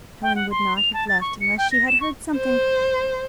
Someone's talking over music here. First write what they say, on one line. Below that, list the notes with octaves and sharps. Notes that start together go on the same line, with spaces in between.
Helen would not have left unless she had heard something.
G5
F#5
C6
F7
A5
A6
C#6
C#7
G5
A#6
E7
C#6
C5